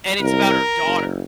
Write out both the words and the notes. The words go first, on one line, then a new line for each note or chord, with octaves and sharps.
and it's about her daughter.
C2 A#4
F#1